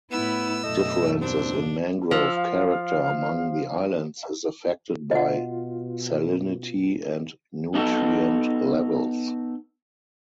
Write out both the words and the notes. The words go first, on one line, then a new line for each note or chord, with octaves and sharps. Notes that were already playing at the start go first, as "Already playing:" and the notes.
Differences in mangrove character among the islands is affected by salinity and nutrient levels.
A2 B3 E4 E6
F#2 B2 A3 D#5
D#2 C4 D4
F3 E6
F5
B2 F4 D#5 F#5
B3 D4 D#4 F4 F#4 A4